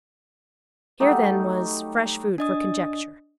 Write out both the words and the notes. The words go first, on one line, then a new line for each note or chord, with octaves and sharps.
Here then was fresh food for conjecture.
F#3 G3 A3 D#4
D4 D#5 D#6